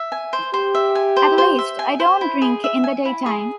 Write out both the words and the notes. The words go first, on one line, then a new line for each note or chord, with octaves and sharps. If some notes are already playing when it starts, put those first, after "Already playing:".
At least I don't drink in the daytime.
Already playing: E5
G#5
C5
G4 C5
E5
G#5
C5
C5
E5
G#5
C5
E4
G#4
E5
G#5
E4
G#4